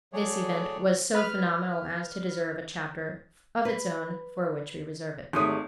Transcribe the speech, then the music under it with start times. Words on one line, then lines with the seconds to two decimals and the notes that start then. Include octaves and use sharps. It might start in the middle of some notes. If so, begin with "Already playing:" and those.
This event was so phenomenal as to deserve a chapter of its own, for which we reserve it.
0.13 F#3 A3 G#4 C#5 D5
1.15 B4 F6
3.65 B4
5.33 G#1 A3 G4 G#4 C#5 D#6